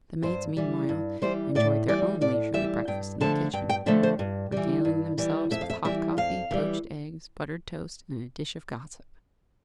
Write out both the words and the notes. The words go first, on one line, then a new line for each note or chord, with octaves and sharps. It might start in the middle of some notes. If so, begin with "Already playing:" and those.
The maids meanwhile enjoyed their own leisurely breakfast in the kitchen, regaling themselves with hot coffee, poached eggs, buttered toast, and a dish of gossip.
G2 C5
E3 G3
G2
E3 G3 C5
A2 D5
E3 G3 D5
A2 D5
E3 G3 E5
G2 G5
D3 F3 A3 A5
G2 G5
G5
D3 F3 A3 E5
C5
G2
E3 G3
G2
E3 G3
F2 E5
F5
E5
E3 G3 E5
F2 F5
E3 G3